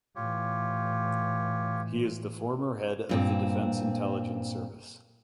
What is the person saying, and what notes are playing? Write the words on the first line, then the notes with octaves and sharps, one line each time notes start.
He is the former head of the Defense Intelligence Service.
A2 E3 F4 G4 C#5
G2 A#2 C4